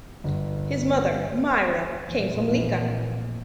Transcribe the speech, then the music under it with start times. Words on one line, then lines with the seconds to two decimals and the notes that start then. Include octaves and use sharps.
His mother Mira came from Lika.
0.24 G1
2.06 A#1 F2 A2 E3 F3 A#3